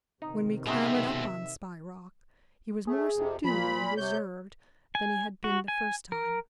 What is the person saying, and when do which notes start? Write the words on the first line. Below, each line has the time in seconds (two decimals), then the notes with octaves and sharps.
When we clambered up on Spy Rock, he was more subdued and reserved than he had been the first time.
0.22 C3 D#3 D#4
0.67 B2 G#3 C4 D#4 F#4 E5
2.87 A3 G#4
3.15 F2 C3
3.44 A#2 F3 B5
3.97 C3 C#5 G6
4.95 G#5
5.44 F#4
5.68 G#5
6.12 A#4